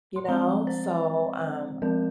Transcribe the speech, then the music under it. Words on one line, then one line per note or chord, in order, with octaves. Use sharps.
You know? So, um
C6
F3 G#3 C4 A#5
C5
F3 G#3 C4 A#4